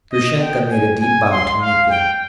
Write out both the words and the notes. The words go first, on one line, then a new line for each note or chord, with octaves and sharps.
Grushenka made a deep bow to Mitya.
D#5
G5
G#5
G#5
C6
F5
G5